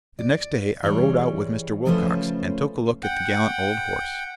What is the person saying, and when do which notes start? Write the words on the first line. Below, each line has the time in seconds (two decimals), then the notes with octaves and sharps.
The next day I rode out with Mr. Wilcox and took a look at the gallant old horse.
0.19 D5
0.83 E3 G3 G#4 C#5
1.85 C#3 F3 A3 C#4 B4 C5
3.02 F#5 G5